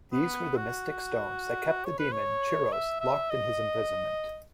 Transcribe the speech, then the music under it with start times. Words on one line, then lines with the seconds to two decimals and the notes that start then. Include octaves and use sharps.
These were the mystic stones that kept the demon Chiros locked in his imprisonment.
0.12 B3
0.56 F#4
1.85 C#5
1.99 B4
2.12 C#5
2.72 E5
3.00 E5
3.30 D#5